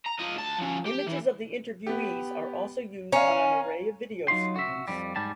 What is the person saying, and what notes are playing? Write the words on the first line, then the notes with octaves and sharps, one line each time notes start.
Images of the interviewees are also used on an array of video screens.
A#5
F4 D#5
D2 A5
F3 C#4
G4
E3
B3 G4
C#4 F5 G#5 A#5
F#3 D#4 F4 C6
F#4 E5
F2 G#2 G3
G#2 G3 A5